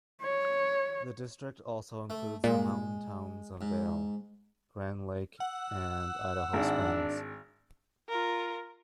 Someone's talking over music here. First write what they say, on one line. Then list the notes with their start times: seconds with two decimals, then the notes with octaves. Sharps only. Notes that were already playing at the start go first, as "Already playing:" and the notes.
The district also includes the mountain towns of Vail, Grand Lake and Idaho Springs.
0.23 C#5
2.10 A3
2.44 A#2 G#3
3.61 G#2
5.40 F#5 E6
6.53 G#1 D4
8.09 F4 A#4